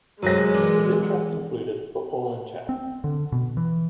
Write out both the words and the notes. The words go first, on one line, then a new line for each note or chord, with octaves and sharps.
His interests included football and chess.
F#2 A2 C3 F#3 G#3 A#6
A#2 E3 D4
C4
D3
B2
E3